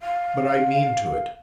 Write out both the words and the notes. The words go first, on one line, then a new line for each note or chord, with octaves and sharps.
But I mean to it.
F5